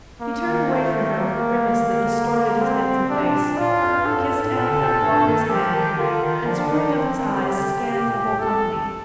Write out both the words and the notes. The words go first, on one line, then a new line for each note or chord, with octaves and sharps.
He turned away from her with a grimace that distorted his handsome face, kissed Anna Pavlovna's hand, and screwing up his eyes scanned the whole company.
A#3
D#3
A3
A#3
D3
D#3
D#3
D3
C4
C3 D4
A#2
A#2 F4
A2
F2
G2
A2 A4
F2
G2
A2
A#2
D3
C3
A#2
G2
D#3
F3 G4
D#3
D3 F4
D#3
F3 D4
D3
D#3
D#3 C4
F3
D#3
D3
C3 G4
D3
C3
C3 G4
A#2
A2
F2 A4